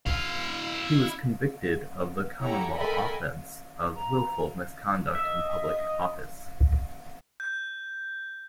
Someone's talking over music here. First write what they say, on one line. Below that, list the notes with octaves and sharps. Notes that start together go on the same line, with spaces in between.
He was convicted of the common law offence of wilful misconduct in public office.
E4 F5
E4 F#4 G4 A4 C#5 A#5
A4 A#4 D#5 G5 G#5 B5
A#5
D#5 E5
G6